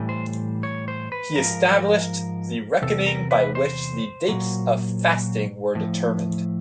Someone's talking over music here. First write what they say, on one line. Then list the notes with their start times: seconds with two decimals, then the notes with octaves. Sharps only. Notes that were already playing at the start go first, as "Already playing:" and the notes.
He established the reckoning by which the dates of fasting were determined.
Already playing: A2 E3 G3
0.09 C5
0.63 C#5
0.88 C5
1.12 B4
1.36 G#2 F3 A#4
2.82 E2 C3 A4
3.06 A#4
3.31 B4
3.55 C5
4.29 A#2 F#3
5.75 A2 F3